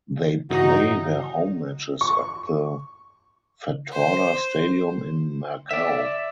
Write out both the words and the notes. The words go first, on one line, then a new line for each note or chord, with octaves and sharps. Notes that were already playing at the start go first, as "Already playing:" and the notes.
They play their home matches at the Fatorda Stadium in Margao.
G2 C#3 E3 D#4 F#4
C#6
C5
D5 E5